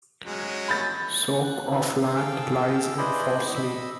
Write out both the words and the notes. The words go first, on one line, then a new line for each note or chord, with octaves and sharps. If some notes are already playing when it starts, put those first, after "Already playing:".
Soke of land lies in Fawsley.
F#3 G#3 C#4
B5 G6 A6
F#6
C4 D#4 A4 B4
G#4 A4 F5 G5 E6
E4 G#4 B4 C5 D5 D#5
D#5 B5 E6